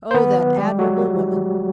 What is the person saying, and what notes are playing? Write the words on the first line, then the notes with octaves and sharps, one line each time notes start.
Oh, that admirable woman!
C5
D#3 B3 B4
F#3
G3 G#3 G4
F#3 G#3 F#4